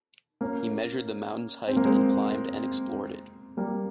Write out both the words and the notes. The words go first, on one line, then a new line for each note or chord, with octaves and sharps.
He measured the mountain's height and climbed and explored it.
A#3 C#4
C4
A#3
G#3 C4
G3 A#3